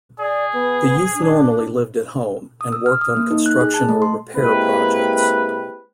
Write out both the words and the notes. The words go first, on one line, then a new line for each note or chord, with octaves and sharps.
The youth normally lived at home, and worked on construction or repair projects.
G#4 D5
B3
D4
D#6
E6
F6
D#6
A#3
D#4
F#6
G#4
A5
A3
C6
G#3 A#3 C4 E4 G4 B4